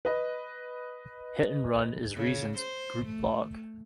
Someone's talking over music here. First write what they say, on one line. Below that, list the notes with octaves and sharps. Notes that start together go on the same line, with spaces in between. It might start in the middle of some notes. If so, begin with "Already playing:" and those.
Hit and Run is "Reason"'s group blog.
B4 D#5
C#3
C5
A3